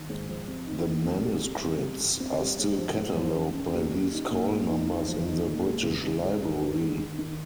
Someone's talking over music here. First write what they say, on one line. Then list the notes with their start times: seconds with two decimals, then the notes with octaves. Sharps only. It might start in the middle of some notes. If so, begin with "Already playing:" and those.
The manuscripts are still catalogued by these call numbers in the British Library.
Already playing: D#3
0.09 G#2
0.29 F3
0.48 C3
0.66 D#4
0.85 A#3
1.05 C3
1.24 G3
1.44 G3
1.63 C3
1.82 G3
2.00 F2
2.20 F2
2.39 G3
2.59 G#2
2.77 F3
2.97 G#2
3.16 F3
3.35 C#3
3.54 C#3
3.74 D#2
3.92 C#3
4.12 D#4
4.30 A#2
4.51 A#2
4.69 D#4
4.88 D#4
5.08 F3
5.26 D#4
5.46 A#2
5.65 G#3
5.84 C#2
6.03 C#2
6.23 G#3
6.41 G2
6.61 G2
6.80 G#3
6.99 D#3
7.18 D#3